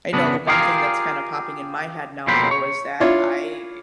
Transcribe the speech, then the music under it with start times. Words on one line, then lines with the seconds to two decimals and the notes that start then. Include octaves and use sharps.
I know the one thing that's kinda popping in my head now, though, is that I,
0.13 C#3 B3 D4
0.47 F4 G4 G#4 A#4 F5
2.27 F2 B2 A#3 C4 C5 B5
2.51 C#5
3.00 D4 E4 F4 C#5